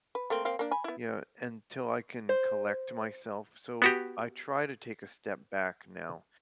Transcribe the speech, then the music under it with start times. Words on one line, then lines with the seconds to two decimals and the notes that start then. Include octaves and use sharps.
yeah, until I can collect myself, so I try to take a step back now
0.15 B4
0.30 A3 A#3 C4
0.45 A#3 C4 F5
0.59 A#3 D4
0.71 G#5 B5
0.84 B3 E4
2.29 C5
3.82 B3 F#4 G4